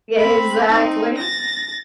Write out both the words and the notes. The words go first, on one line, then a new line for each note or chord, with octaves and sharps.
Yeah, exactly,
C4 B5
C4 D#4
A6 A#6